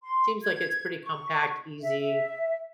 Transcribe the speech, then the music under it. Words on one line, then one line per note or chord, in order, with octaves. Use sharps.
seems like it's pretty compact, easy,
C6
G#6
C#6
E5